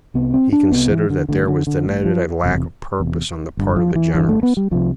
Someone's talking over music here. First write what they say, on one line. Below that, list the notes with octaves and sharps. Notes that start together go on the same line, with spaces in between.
He considered that there was denoted a lack of purpose on the part of the generals.
C2 C3 B3
C4
D4
C2 C3 B3
E3
D3
A1 A2 D3
D3
D3
A1 A2
F3
E1 E2 C3
E1 E2 C3
G1 G2 D3
F3
E3
G1 G2 D3 E3
A3
B3
G3
C2 C3 F3